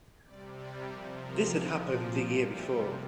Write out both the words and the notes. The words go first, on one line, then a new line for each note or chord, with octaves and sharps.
This had happened the year before.
C3 G3 D5
D5
C3 F3 A#4
A#4
A#2 F3
D5
C3 G3 C4
A#3